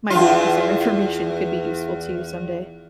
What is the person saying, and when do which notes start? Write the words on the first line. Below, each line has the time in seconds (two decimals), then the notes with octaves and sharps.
might be a piece of information could be useful to you someday.
0.10 E2 G2 F4